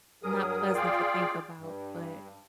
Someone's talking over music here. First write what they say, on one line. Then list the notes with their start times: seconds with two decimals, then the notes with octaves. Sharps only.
not pleasant to think about but
0.23 G2 F#3 G#4 A#4 D#6
0.74 F4 G#4 D5 F5 G5
1.59 G2